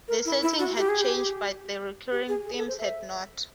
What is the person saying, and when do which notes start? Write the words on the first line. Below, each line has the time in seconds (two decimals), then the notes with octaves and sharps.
The setting had changed but the recurring themes had not.
0.08 A#4
0.25 E4
0.43 E4
0.59 F#4
0.76 G4
0.89 G#4
1.01 G4
2.12 G4
2.28 G#4
2.46 G#4
2.57 A4
2.68 C5
2.79 E5